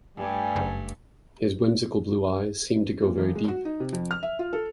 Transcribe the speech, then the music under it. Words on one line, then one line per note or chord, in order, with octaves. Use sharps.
His whimsical blue eyes seemed to go very deep.
G2 G3 A3 G#5
F#1
A#2
E1
G#3
F#4
D#4
C3
F2
F6
E5
F4
A4